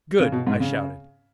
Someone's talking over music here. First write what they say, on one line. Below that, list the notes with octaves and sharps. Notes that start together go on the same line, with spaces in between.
"Good!" I shouted.
C#3
B2
G#2
C#3